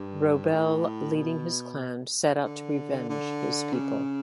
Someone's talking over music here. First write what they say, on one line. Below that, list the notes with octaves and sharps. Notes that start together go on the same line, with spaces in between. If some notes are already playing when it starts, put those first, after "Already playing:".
Roble leading his clan set out to revenge his people.
Already playing: G2
A2
B2
D3
D3
C#3